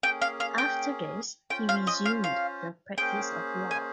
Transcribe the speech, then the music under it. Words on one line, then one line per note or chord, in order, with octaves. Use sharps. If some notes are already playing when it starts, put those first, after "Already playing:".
After this, he resumed the practice of law.
A#3 C#4 G#4 G5
F5
F5
G5
C#4 F4 C5 G5
F5
D#5
F5
F5
A#3 C#4 G#4 C5 G5
G#5